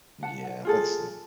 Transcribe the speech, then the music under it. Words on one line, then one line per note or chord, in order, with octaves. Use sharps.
Yeah, that's n
F#5 A5
F#5
F4 G#4 A4